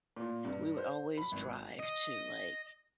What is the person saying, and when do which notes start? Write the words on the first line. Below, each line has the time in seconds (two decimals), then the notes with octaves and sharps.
we would always drive to, like,
0.16 A#2
0.45 G2
0.77 C5
1.18 B5
1.32 G#1
1.79 D#5